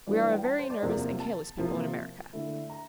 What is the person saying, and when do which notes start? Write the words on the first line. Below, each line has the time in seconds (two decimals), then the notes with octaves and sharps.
We are a very nervous and careless people in America.
0.07 G2 E3 G3 D4 F4 D5
0.20 F5
0.32 G5
0.44 A5
0.59 C5
0.70 D5
0.82 E2 C3 F3 A#3 A#4
1.20 A5
1.57 C3 F3 A#3 E4
2.33 D3 A3 E4
2.70 A#5